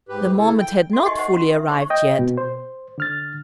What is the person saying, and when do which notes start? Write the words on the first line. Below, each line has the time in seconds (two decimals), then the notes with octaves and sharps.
The moment had not fully arrived yet.
0.09 G#2 G4 B4
0.37 C#3 E4 A4
0.60 G5
0.93 F#4 A4 E5
1.06 D#4 F#4 G4 D#5 G#5 C#6
1.18 C5 D#5 F#5 G#5
1.33 C#4 F4 F#4
1.53 E5
1.68 D#4 G4 C5 C#6
1.90 D#5 G5
2.19 B2
2.38 C5
2.98 D3 F6 A6